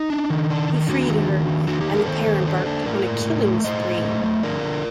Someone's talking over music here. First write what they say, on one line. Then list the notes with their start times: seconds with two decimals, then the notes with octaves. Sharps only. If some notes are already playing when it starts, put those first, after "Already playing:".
He freed her, and the pair embarked on a killing spree.
Already playing: D#4
0.10 D4
0.30 D#3
0.50 D4
0.70 D#3
0.89 D#3 D4 F#4
1.09 D#3
1.29 D#3
1.48 D#3
1.68 D#3 D4 F#4
1.81 D#4 G4
1.88 D4
1.94 G4 A#4
2.07 D#3 A4 C5
2.27 D#3
2.47 D4
2.66 D4
2.86 A2 A#4 D5
3.06 A2
3.25 A2
3.46 A3
3.64 A2 C5 D#5
3.85 A2
4.05 A3
4.24 A3
4.43 D3 A#4 D5
4.63 D3